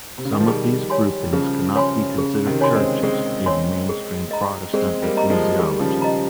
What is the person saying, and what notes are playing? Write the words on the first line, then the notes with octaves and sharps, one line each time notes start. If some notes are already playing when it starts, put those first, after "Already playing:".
Some of these groupings cannot be considered churches in mainstream Protestant ecclesiology.
C3
C#3
D#3
F3
D#3 G3 G#4
C#5 G#5 C6
G3
C#3 F3 G#4
C#5 G#5 C6
C#3 G#4
C3 D#3
C#5 G#5 C6
G#3 C4
G#3 C4 G#4
C#5 G#5 C6
G#4
D#5 A#5
G#3 C4 G#4
G3 A#3
D#5 A#5
F3 G#3
D#3 G3 G#4
C#3 F3
D#5 A#5